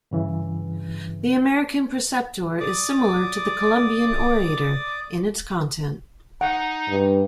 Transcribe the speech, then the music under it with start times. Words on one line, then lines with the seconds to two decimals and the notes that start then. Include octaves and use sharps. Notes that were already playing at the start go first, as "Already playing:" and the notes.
"The American Preceptor" is similar to "The Columbian Orator" in its content.
0.11 G2 C#3 E3
2.60 D5 D6 D#6
6.41 D#4 F#5
6.88 G2